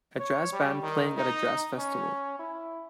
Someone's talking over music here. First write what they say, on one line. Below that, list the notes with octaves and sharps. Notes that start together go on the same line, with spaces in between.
A jazz band playing at a jazz festival.
C#5
G3
D#3
D#4
C#4
E4